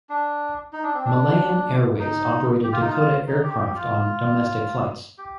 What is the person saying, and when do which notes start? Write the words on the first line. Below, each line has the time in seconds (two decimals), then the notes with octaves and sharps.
Malayan Airways operated Dakota aircraft on domestic flights.
0.09 D4
0.73 D#4
0.83 D4
0.94 C4
1.05 D4
2.00 D#4
2.64 G4
2.72 F4
2.82 D#4
2.90 F4
3.27 D#4
3.43 G4
3.59 G4
3.75 F4
5.18 G4